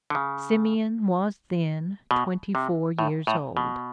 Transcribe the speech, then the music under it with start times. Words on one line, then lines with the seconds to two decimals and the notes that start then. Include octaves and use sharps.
Simeon was then twenty-four years old.
0.10 D3
0.15 C#3
2.11 B2
2.55 C3
2.99 A2
3.27 A2
3.57 B2